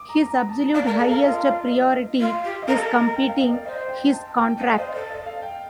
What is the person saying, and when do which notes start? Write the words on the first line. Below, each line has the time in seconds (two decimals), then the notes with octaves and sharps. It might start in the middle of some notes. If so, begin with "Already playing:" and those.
His absolute highest priority is completing his contract.
Already playing: D6 D#6
0.09 A#5
0.26 A#5
0.49 A5
0.74 D5 F5
0.86 A#4 A5
0.98 A4 F5
1.10 A#4 F5
1.23 F4 D#5
1.47 D5
1.71 D#5
2.19 F4
2.44 G4
2.62 D#5
2.67 A#4 F5
2.75 A4
2.83 A#4
2.91 A#5
3.16 G5
3.28 F5
3.40 D#5
3.53 D5
3.64 C5 D#5
3.89 G5
4.13 A5
4.38 G5
4.57 D#5
4.61 D5 F5
4.78 C5 D#5
4.94 A4 D5
5.10 D#5
5.26 F5
5.42 G5